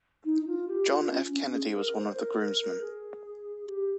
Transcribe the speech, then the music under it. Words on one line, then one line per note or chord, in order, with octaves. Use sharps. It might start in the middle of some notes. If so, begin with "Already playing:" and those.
John F. Kennedy was one of the groomsmen.
D#4
D#4
F4
G4
F4
C#4
C#4
G#4
A#4
C5
A#4
A#4
A#4
G#4
G4